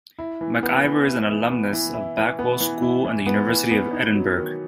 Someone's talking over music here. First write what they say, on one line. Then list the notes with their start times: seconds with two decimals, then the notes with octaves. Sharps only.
McIver is an alumnus of Backwell School and the University of Edinburgh.
0.19 E4
0.41 E3
0.63 B3
0.84 E3
1.07 E4
1.29 E3
1.51 B3
1.73 E3
1.94 E4
2.17 E3
2.39 B3
2.60 E3
2.82 E4
3.05 E3
3.26 B3
3.49 E3
3.71 B3
3.93 D#4
4.15 F#3
4.37 D#3